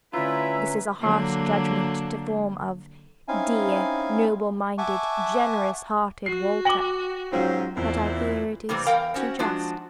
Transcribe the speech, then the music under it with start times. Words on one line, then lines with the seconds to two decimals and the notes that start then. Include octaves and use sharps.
This is a harsh judgment to form of 'dear, noble-minded, generous-hearted Walter,' but I fear it is too just.
0.13 D2 C#4 E4 F4 B4 E5 A#5
1.00 D3 F#3 A#3
3.28 C4 C#4 D#4 E4 F5 G#5
4.78 E5 F#5 G#5 A5 C#6 D6
6.26 F#4 C7
6.65 G5 D6 A#6 F#7
7.32 G#2 F#3 C4 C#4 F4
7.77 E2 A#2 C4 E4
8.69 C3 E3 G3 A#3 C4
8.86 E2 A#4 F5 G5
9.14 C4 C#4 F#4
9.39 F3 G#3 D4 F#4